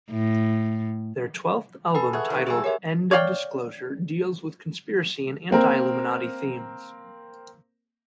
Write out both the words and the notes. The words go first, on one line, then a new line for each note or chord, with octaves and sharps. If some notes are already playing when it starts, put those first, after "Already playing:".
Their twelfth album titled End of Disclosure deals with conspiracy and anti-Illuminati themes.
A2
A4 B4 G#5 B5
G#4 C#5 E5 F#5
D#3 G3 B3
E3 G3 G#4 A4 G#5
C#4 G4 A#4 E5
C#5 D5 F5 G5
A#3 C4 A#4